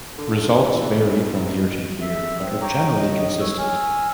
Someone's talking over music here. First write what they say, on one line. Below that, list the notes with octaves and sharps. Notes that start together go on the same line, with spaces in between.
Results vary from year to year but are generally consistent.
D3
E3
E3
C2
C2
B2
E5
C4
C#5 G5 A#5 D6
A2 D#5
C#5 E6
G#5 E6 F6